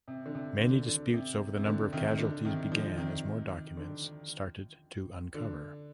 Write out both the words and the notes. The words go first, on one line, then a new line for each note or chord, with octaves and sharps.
Many disputes over the number of casualties began as more documents started to uncover.
C3
D3
C3
D3
D3
C3
C3
D3
C3 D#3
D3
C3 D#3
D3 F3
F3
C3 D#3
D3
D3